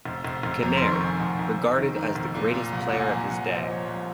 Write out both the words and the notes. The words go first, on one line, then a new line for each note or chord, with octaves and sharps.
Kinnaird, regarded as the greatest player of his day.
F1
F1
F1
F2 A#5
D#3 C6
C#6
F1 G#5
F1 F#5
F1
F2
D#3
D#3
F1
A#2
A#2
C2
A#2 F#5
G#5
C2 A#5
C2 F#5
F3 C5
D#5
F3 C#5
C5
C2